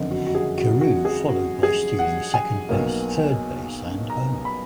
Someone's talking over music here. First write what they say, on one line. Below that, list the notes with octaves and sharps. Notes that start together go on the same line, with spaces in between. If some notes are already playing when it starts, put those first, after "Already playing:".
Carew followed by stealing second base, third base and home.
Already playing: F#1 F2 D3 D#5
F#4
F#4
G#4
F#4
F#4
G#4
F#4
G#4
F#5
G#5
B1 B2 A#3
A#5
B5